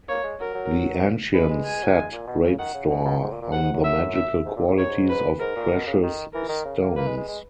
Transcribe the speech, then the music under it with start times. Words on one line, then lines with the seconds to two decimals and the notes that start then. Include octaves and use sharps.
The ancients set great store on the magical qualities of precious stones.
0.09 A#3 C#5
0.24 G#3
0.40 F#3 A#4
0.55 F#3
1.34 G#3 B4
1.49 G#3
1.65 G#5
1.84 F#3
1.96 G#3
2.12 A#2
2.27 B2
2.44 C#3
2.58 D#3 F#5
2.74 C#3
2.90 B2
3.05 B2
3.22 G#2
3.32 A#2
3.42 A#2
3.52 G#2 F#5
3.63 G#2
3.74 F#2
3.84 E5
4.15 E5
4.46 G#2
4.56 A#2
4.67 A#2
4.74 G#2
4.78 F#2 C#5
4.89 G#2
5.09 B4
5.40 G#2 A#4
5.56 A#2
5.72 B2
5.87 C#3
6.03 D#3
6.34 E3 A#4
6.49 D#3
6.65 C#3
6.81 A#3
6.96 A#3 B4
7.07 G#3
7.17 G#3
7.28 G#3